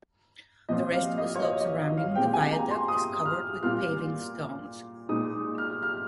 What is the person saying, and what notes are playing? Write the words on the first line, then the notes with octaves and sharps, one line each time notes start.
The rest of the slope surrounding the viaduct is covered with paving stones.
A#2 F3 C4 F4 D#5
F5
D#5
C#5
D#5
D#5
D#5
F5
A#2 G#3 C4 G5
G5
G#5
A#5
C6
D#6
F6
A#2 G3 A#3 F4 F6
A#2 G#3 D#4 D#6
F6
F6